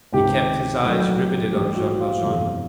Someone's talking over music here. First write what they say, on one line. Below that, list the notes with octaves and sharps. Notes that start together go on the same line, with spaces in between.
He kept his eyes riveted on Jean Valjean.
C#2 C3 D#3 G4
A#1 A2 F#3
A#1 A2 E3 G3 G4
F#4
F4
G1 F2 C3 E3 G3 F4